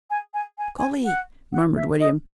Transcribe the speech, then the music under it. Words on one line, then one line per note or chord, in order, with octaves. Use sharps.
"Golly!" murmured William.
G#5
G#5
G#5
G#5
F#5
F#5
E5
D#5